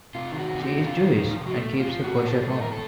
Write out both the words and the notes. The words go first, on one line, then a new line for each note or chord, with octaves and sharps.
She is Jewish and keeps a kosher home.
C3 F4
D#3 F4
F#4
C3
A3 F#4
C3
F4
D#3
C3 D#4
F3
C3
F#4
A3 A4
C3
F4
F3
A2 F#4
F#3
A4
A2
A3 A4
A#4
A2
A4